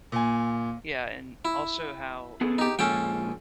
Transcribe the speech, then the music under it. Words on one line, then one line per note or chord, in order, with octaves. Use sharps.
Yeah, and also how, you know,
A#2 G#5
E4
B3 G#4 A4
D#4 G4
A#2 F3 G#3 C#4 A4 G5